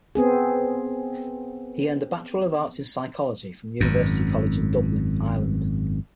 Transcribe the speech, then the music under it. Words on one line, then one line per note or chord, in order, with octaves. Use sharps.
He earned a Bachelor of Arts in psychology from University College in Dublin, Ireland.
B3 C4 G#4
G#1 F#2